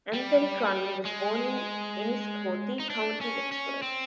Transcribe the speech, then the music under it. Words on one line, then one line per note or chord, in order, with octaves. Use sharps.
Anthony Cronin was born in Enniscorthy, County Wexford.
G3
G#3
D#4
D4
C#4
C#4
C4